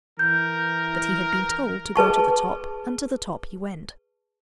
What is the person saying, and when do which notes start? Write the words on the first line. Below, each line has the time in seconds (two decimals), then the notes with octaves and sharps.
But he had been told to go to the top, and to the top he went.
0.19 E3 A#4 G6
1.96 G#4 B4 A5 C#6